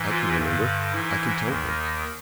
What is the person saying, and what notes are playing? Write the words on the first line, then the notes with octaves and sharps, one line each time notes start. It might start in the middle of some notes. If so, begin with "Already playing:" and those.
I can remember; I can tell things!
Already playing: G#2 E3
F4
G2 D3
G#2 E3 E4
D#2 D#3